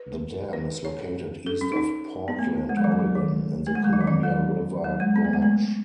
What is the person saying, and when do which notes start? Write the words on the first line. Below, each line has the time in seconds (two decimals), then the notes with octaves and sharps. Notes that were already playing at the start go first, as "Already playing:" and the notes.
The dam is located east of Portland, Oregon, in the Columbia River Gorge.
Already playing: B4
0.53 B4
0.85 C#5
1.46 A4
1.61 C#4
1.72 D#4
1.77 C#4
2.28 B3
2.39 A3
2.69 G#3
2.77 F#3
2.84 E3
2.92 F#3
3.00 E3
3.15 D#3
3.67 A3
3.75 G#3
3.84 F#3
3.93 E3
4.01 D#3
4.07 E3
4.23 F#3
4.84 F#3
5.00 G#3
5.16 B3
5.24 A3
5.33 G#3
5.42 A3